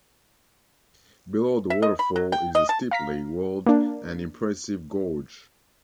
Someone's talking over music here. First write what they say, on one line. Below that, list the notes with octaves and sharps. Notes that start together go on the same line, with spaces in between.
Below the waterfall is a steeply walled and impressive gorge.
E5
D#5
B5
F#3
G5
D#5
A5
F5 A#5 B6
A#3 D4